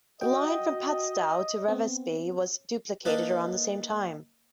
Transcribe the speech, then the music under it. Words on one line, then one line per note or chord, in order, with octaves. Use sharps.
The line from Padstow to Revesby was duplicated around the same time.
F#4 D#5 G5
B3 C4
A#3 D4 D#4 B4